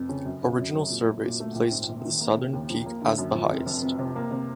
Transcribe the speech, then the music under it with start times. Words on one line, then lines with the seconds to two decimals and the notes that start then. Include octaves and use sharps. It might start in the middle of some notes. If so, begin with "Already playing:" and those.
Original surveys placed the southern peak as the highest.
Already playing: F1 F2
0.09 C#3
0.25 F#2
0.43 C#3
0.59 F#2
0.74 F#3
0.90 A#2
1.08 F#3
1.24 A#2
1.40 A3
1.55 A#1
1.72 G#2
1.89 A#1
2.05 D#3
2.20 A#3
2.36 C#3
2.53 D#2
2.69 F3
2.86 A#3
3.02 D3
3.18 F#2
3.35 F3
3.50 F1
3.66 F2
3.82 F1
3.99 C3
4.16 A#3
4.31 C3